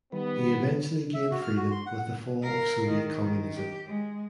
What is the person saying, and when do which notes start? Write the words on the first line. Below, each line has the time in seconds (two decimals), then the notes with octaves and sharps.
He eventually gained freedom with the fall of Soviet Communism.
0.12 D#3 G3 B3 B4
1.14 E5
1.31 F#4
1.42 F6
1.56 F#4
1.71 C6
1.86 F#5
1.98 F#5
2.42 A#4 F5
2.88 D#3
3.21 D#3
3.56 G4
3.86 G#3